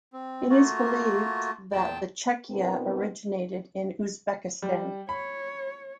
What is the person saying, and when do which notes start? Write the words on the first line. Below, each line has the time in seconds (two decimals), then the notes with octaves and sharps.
It is believed that the chechia originated in Uzbekistan.
0.13 C4
0.50 A3 A#3 F4 F#4
1.72 E2 A#2 G5 A5
2.50 B2 B3 C4 D4 E4 A#4
4.62 G3
5.09 C#5 B5